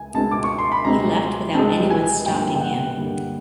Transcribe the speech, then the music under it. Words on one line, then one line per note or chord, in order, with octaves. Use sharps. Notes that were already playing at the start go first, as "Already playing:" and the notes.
He left without anyone stopping him.
Already playing: C#2 G#5
C#2 B2 G#3 C4 A5
D6
C#6
C6
B5
C#2 B2 G#3 C4 A#5
C#2 B2 G#3 C4 A5
G#5
G2 D3 G3 A#3 G5
G5
F#5
G2 D3 G3 A#3